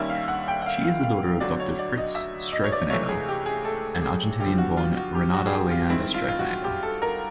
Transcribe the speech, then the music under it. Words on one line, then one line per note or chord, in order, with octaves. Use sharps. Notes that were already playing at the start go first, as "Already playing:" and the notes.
She is the daughter of Doctor Fritz Streifeneder and Argentinian-born Renata Leander-Streifeneder.
Already playing: D#2 D#3 G3 A#3 C#4 E5
F5
F#5
G5
F#5
F5
F5
F5
D2 D3 F#3 D5
C#5
D5
D#5
E5
D#5
C#5
D5
C#2 C3 E3 A3 C#5
G#4
G4
G#4
A4
G#4
G2 D3 F3 G4
F#4
F4
F#4
G4
F#4
G#4
G4
F4
G2 D#3 G#3 C4 E4
F4
F4
F#4
G4
A4
A#4